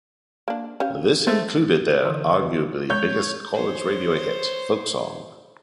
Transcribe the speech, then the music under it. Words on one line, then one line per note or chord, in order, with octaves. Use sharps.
This included their arguably biggest college radio hit, "Folk Song".
A#3 D4
C#4 G4 F5
A3 C5
D3 E3
F#4 B4
G#3 C#5 G6
C5 C#5